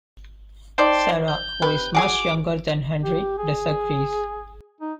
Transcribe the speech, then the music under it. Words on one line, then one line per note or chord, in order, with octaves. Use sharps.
Sarah, who is much younger than Henry, disagrees.
D#4 C5 D5 G5 A5 C6
G6
C3 B4
F#4 G#4 G#5 D6
G4
G#4
D#4